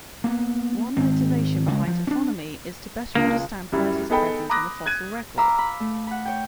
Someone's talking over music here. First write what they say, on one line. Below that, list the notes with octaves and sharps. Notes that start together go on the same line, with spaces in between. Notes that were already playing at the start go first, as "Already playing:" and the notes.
One motivation behind taphonomy is to better understand biases present in the fossil record.
A#3 B3
G#1 C4
C#3 G#3
F3
C#4 D4
C#2 C#3 A#3
F#2 G3 E4
B3 D#4 G#4 A4 G5 B5
A#5 B5 D6 D#6 F#6 A#6
F#6 G#6 D#7
F5 A#5 B5 D6 E6
B5
A3
F#5 B5
C#5 G5